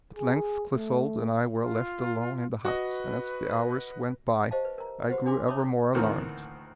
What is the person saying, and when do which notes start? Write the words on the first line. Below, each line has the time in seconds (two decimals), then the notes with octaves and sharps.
At length Clissold and I were left alone in the hut, and as the hours went by I grew ever more alarmed.
0.16 G#4
0.73 A3
1.58 F4
2.65 F#4 B4 D#5
4.51 G4 C5 D#5 F5 A5
4.65 B4
4.78 A#4 A#5
5.10 F#4 G4 B4 C5 F#5
5.26 D4 F#4 G#4 G#5 C6 D6
5.47 C#5 E5 A5 B5 D6 D#6
5.95 D2 A2 D#3 E3 A#3 C4